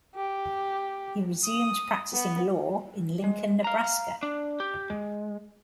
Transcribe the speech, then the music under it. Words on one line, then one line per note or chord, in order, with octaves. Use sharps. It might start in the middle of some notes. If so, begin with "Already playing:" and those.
He resumed practicing law in Lincoln, Nebraska.
G4
D#6
B3
G#3
F5 A#5
D4
G4
G#3